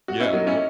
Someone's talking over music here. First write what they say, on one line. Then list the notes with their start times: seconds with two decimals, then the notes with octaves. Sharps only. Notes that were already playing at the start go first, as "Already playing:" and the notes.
Yeah, well
0.08 F#4
0.20 C#4 E4 D#5
0.33 F#3 A#3
0.46 C#4 E4